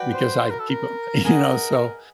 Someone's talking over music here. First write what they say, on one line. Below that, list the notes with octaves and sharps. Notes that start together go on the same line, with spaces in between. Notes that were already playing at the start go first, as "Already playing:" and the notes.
because I keep e you know, so,
Already playing: F#4 B4 D5 G5
C5
A#4
A4
A#4
G#4 A#4 B4 D#5 F#5